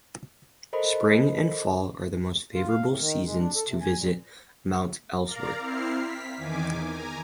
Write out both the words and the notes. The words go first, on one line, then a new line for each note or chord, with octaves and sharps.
Spring and fall are the most favorable seasons to visit Mount Ellsworth.
A4 A#4 C5 D#5 B5
F4
F5
A2
D#3
G#3
D4
A4
C3
G#5
A#2
A#4 D5 F5 A#5
C4 E4 F6 C7
B6
E2 D#3 G#5 D6
G#5 A#5